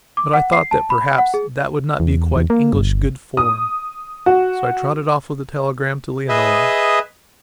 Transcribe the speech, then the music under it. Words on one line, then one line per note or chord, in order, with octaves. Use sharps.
But I thought that perhaps that would not be quite English good form, so I trotted off with the telegram to Leonora.
D6
F#5
C7
A5
B5
F#5
G#4
E2
E2
A#3
G1
D#6
F#4
G#4 B4 D#5 E5